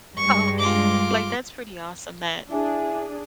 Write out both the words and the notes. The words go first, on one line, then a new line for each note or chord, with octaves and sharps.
Oh, man, like, that's pretty awesome that
G2 G#3 C#6
F4 D6
D4 E4 G#4 E5 G#5